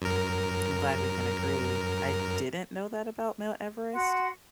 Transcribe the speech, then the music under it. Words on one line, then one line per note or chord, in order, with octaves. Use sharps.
I'm glad we can agree. I didn't know that about Mount Everest.
F#2 A#4
F#4 F#5 C6